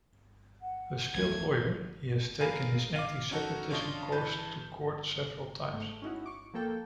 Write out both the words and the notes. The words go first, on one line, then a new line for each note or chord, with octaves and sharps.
A skilled lawyer, he has taken his anti-separatism cause to court several times.
F#5
B1 F2 E3 A3 G#6
G#4 A#4 B4 F5 G#5
F5 D6
C#4 D#4 F#4 A4
C#4 D4 F4 C#5 D#5 A5
C#3 E3 B4 A5 G6
G#2 A3
C#4 D#4 E4 F#4
C#6 D6
F3 A#3 A4 G5